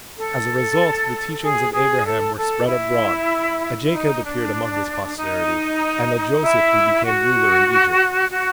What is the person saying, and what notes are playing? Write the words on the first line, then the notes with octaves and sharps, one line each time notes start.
As a result the teachings of Abraham were spread abroad, a Jacob appeared among His posterity, and a Joseph who became ruler in Egypt.
A4
G#4
G#4
A4
A4
E4
D#4
D4
D#4
E4
F#4
F#4